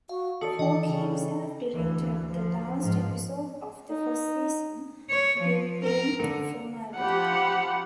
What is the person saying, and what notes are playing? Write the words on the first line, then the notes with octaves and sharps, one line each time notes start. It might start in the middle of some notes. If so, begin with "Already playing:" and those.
Falk himself directed the last episode of the first season, "Blueprint for Murder".
F#4 F5
D#3 F#4 A4 D5 D#6 C#7
E3 D#5 G5
C#3
D2 E3
F3
G#2 F3
D#4
C#5
F3
A#4
D3
F3 G4 F#5 B5